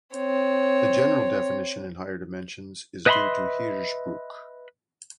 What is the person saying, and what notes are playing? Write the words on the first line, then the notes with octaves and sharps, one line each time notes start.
The general definition in higher dimensions is due to Hirzebruch.
C4 C#5
B4 D#5 E5 A5 B5 C6